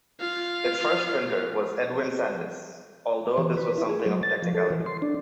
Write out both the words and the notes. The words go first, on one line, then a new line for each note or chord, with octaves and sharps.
Its first printer was Edwin Sandys, although this was something of a technicality.
F4 F5
E3
B4
E4
G#4
F#3
A6
F3
A4
E3
C6
D4